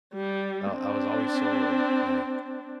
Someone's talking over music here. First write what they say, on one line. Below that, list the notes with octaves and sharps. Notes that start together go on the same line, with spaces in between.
I I was always so ob like
G3
C4 D4